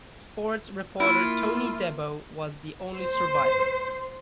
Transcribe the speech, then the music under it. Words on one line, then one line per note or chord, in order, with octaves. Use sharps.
Sports reporter Tony Debo was the only survivor.
A#3 E4 F4
C5